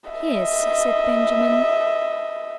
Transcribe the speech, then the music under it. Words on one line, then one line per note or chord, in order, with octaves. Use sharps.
"Yes," said Benjamin.
D#5 E5